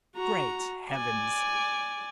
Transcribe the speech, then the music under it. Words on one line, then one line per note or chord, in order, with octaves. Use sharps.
Great heavens!
F#4 A#5
D5 G#5